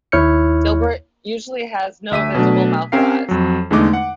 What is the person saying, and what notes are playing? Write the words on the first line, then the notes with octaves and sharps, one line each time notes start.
Dilbert usually has no visible mouth or eyes.
D#2 E4 C#5 F6 G6 C#7
D2 E5 B6 D#7
B2 F#3 A3 D4
C4 C#4 G4 A#4 F5 C7
F2 F#3
E2 D3 G#3 A3 D#4 D6
F#5